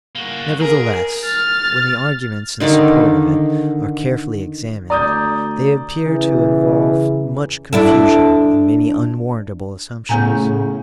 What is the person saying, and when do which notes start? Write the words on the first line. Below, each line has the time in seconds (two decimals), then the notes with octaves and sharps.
Nevertheless, when the arguments in support of it are carefully examined, they appear to involve much confusion and many unwarrantable assumptions.
0.15 A#3 F#4
0.61 G#4 A#4
1.25 F6 A6
2.60 D3 D#3 D5 F5
4.90 D2 D5 A#5 D#6 G6
6.05 C#3 E3
7.73 D4 E4 A4
10.09 A2 C#3 B3 G#5 A#5